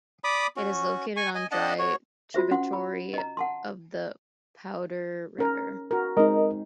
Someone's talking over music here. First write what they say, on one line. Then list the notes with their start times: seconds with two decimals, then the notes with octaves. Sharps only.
It is located on a dry tributary of the Powder River.
0.24 D5 B5 D6 D#6
0.57 C#4 F#4
1.16 G#5 C#6
1.35 D#5 G#5
1.51 D4 D#5 F#5 A5
1.79 F#4 C#5
2.34 F4 F#4 C5 E5
2.51 C#4 F#5 C6
2.73 B5
3.14 D#5 A#5
3.37 F#5 A5 C6
5.39 C#4 A#4
5.91 F#4 A#4
6.17 G#3 C4 D#4 A#4 D#5